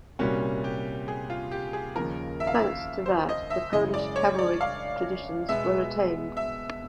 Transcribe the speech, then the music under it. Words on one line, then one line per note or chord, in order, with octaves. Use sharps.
Thanks to that, the Polish cavalry traditions were retained.
C2 A#2 G3 A#3 C#4 F#4
G4
G#4
F4
G4
G#4
D#2 C#3 F3 A#4
E5
F5
E5
C5
D#5
E5
F#2 C#3 E3 G#3 D#5
D5
C#5
D5
F5
B2 G#3 B3 E5
E5